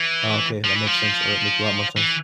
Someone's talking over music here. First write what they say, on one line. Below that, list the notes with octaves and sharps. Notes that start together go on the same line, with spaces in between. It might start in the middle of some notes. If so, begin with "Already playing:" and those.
Oh, okay, that makes sense. Oh, that makes a lot more sense.
Already playing: E3
F3
E3
F3
E3